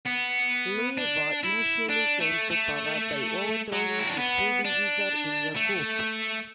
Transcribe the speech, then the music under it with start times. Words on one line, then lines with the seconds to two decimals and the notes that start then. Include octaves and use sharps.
Leiva initially came to power by overthrowing his predecessor in a coup.
0.06 B3
0.98 D4
1.43 E4
1.89 D4
2.20 A3
2.51 A3
3.72 F#3
3.99 E4
4.09 D4
4.18 B3
4.65 D4
5.56 A3